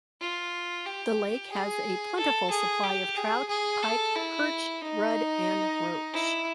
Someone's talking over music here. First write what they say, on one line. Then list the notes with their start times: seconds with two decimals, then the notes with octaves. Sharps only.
The lake has a plentiful supply of trout, pike, perch, rudd and roach.
0.21 F4
0.86 G4
1.52 G#4
2.18 A4
2.50 G#4
2.84 G4
3.17 G#4
3.49 G#4
3.83 A4
4.16 E4
4.81 D#4
6.13 E4